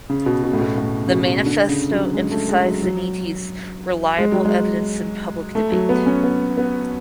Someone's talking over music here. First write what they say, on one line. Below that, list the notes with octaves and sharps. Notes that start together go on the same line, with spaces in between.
The manifesto emphasised the need to use reliable evidence in public debate.
C#3
B2
B2
A2
B2
A2
C#3
B2
D3
C#3
F#3
G#3
A3
G#3
F#3
F#3
G#3
F#3
G#3
A3
F#3
B3
C#4
B3
B3